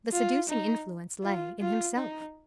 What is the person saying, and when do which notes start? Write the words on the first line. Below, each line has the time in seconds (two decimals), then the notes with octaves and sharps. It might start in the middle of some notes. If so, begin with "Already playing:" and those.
The seducing influence lay in himself.
0.12 F4
0.49 D#4
1.23 F4
1.60 F4
1.97 D#4